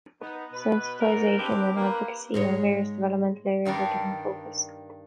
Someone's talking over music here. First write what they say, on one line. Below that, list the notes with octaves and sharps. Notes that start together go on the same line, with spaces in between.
Sensitisation and advocacy on various developmental areas are given focus.
B3 D#4
B2 B4
G#2 A#4
C4 D4 G4 A#4 B4
A#3 B4
G#2 G#3 C#5
G2 D#3 G3 D4